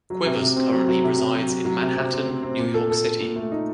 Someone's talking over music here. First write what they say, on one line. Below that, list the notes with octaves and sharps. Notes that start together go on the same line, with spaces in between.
Quivers currently resides in Manhattan, New York City.
F#3
C3
C3
C4
F#3
F#3
C3
C3
F#3
F#3
F#3
C3
C3
C4
C4
C4
A#2
A4
A4
A4
A#2
A3
D#4